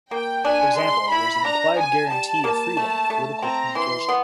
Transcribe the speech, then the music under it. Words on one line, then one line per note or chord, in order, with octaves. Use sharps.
For example, there is an implied guarantee of freedom of political communication.
A#3 G5
D4 G#5
G#3 C6
E4 B5
D4 A#5
F3 G#5
G3 A5
A#3
A3
A3
C4 A#5
E3 C6
B3